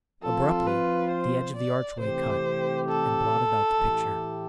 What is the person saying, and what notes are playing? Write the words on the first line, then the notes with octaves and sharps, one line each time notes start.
Abruptly the edge of the archway cut and blotted out the picture.
F3 C4 F4 A4
B4
C5
D5
C3 E3 A3 C4 G4 C5
A4
A2 E3 A3 E4 G4